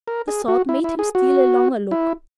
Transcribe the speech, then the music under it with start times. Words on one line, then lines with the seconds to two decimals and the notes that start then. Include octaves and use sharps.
The thought made him steal a longer look.
0.08 A#4
0.28 G#4
0.48 F#4
0.69 E4
0.84 E4
0.99 G#4
1.15 F#4
1.91 E4